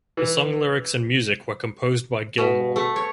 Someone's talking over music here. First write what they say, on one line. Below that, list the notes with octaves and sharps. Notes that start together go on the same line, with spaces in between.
The song lyrics and music were composed by Gilmour.
E3
B2
A3
C#5